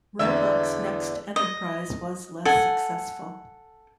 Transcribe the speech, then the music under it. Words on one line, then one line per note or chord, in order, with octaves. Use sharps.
Roebuck's next enterprise was less successful.
E2 D3 E5
D#5
A4 F#5 G#5